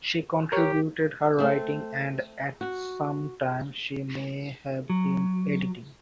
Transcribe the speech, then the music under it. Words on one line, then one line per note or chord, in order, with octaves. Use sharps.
She contributed her writing and at some time she may have been editing.
G4 A#4 C#5
A3 C4
F#4
F#3